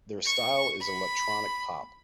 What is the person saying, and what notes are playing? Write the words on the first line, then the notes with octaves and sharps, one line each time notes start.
Their style is electronic pop.
C#6
B5